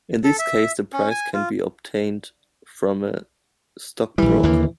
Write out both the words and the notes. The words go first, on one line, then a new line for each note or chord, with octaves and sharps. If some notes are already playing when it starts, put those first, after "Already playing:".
In this case, the price can be obtained from a stockbroker.
A4
E5
C#4
G#5
F4
A#1 E3 G3
D#2 D3 A#3